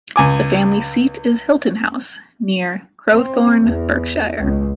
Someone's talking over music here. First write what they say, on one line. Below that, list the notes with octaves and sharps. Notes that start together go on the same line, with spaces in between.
The family seat is Hilton House, near Crowthorne, Berkshire.
C#2 G#5 D6
C4
E2
C#2